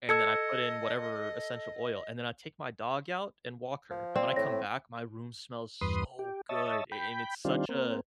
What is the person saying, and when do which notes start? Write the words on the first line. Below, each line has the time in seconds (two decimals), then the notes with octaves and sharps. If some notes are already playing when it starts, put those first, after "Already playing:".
and then I put in whatever essential oil, and then I take my dog out and walk her, and when I come back, my room smells so good, a and it's such a
0.09 A4 D#5 E6 G#6 C#7
3.90 F3
4.16 C4 D5
4.36 A2 C#5 A#6
5.81 E2 G2 B4 C6 D#6
6.19 G4
6.49 C#5 D#5 E5 A5
6.92 G5 B5
7.45 D#3 G3 C4 D4 F4
7.69 A#3 C4